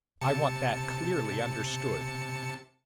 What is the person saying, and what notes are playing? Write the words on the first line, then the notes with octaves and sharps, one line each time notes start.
I want that clearly understood.
C3 A5 C#7